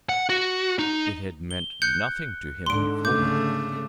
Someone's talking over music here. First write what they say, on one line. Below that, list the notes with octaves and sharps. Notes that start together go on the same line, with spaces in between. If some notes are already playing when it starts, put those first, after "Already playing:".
It had meant nothing to him before.
F#5
F#4
D#4
G7
F#6 G6 C#7
G#2 D3 C6 D7
C#3 A3 D6 G6